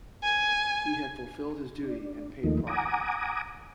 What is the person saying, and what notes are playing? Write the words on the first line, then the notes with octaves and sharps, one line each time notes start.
He had fulfilled his duty and paid properly.
G#5
D4
D#2 D#3 F3 A3 A#3 D#4
F#5 G#5 A#5 D6 D#6